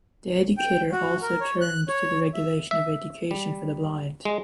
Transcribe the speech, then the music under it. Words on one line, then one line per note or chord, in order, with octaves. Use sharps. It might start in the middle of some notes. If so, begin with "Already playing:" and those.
The educator also turned to the regulation of education for the blind.
G5
F#4
A#4
C#5
F#6
C#5
E5
E5
G3
G#3